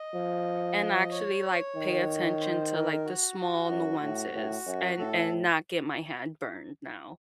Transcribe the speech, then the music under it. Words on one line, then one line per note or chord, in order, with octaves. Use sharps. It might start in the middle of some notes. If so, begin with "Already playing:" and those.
and actually, like, pay attention to like the small nuances and and not get my hand burned now.
Already playing: D#5
F3
C#5
D#3
C5
A#4
F#4
F#2
A2
A2
F#2
A2 A4